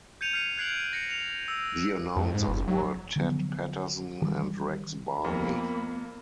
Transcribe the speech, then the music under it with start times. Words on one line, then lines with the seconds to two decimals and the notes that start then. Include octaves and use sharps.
The announcers were Ted Patterson and Rex Barney.
0.21 G6 G#6 C#7 D#7 F7
0.33 F6 C7 D#7
0.58 F#6 G#6 C7 D7 F#7
0.93 A#6 C#7
1.10 F7
1.48 E6
2.16 F2
2.34 G#2
2.48 F#1
2.68 F#3
3.16 D3 F3 F#3 B3
4.22 D#3 E3 G3
5.25 F2 A#3 B3 B5